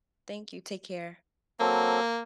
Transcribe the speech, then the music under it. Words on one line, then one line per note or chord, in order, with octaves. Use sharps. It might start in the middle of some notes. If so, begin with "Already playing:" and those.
Thank you, take care.
F#3 A#3 C4 A4